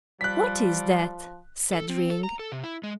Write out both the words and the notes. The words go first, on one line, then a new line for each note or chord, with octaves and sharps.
'What is that?' said Ring.
F3 G3 F#6 B6
A4
C4
A4
A#5
A4
C3
E4
G#3